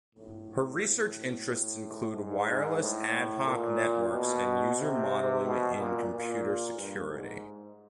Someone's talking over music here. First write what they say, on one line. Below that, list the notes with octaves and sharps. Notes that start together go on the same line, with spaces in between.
Her research interests include wireless ad hoc networks and user modeling in computer security.
A2
G#2
G#2
A2
A#2
B2
C3
B2
A#2
A#2
G2
G#2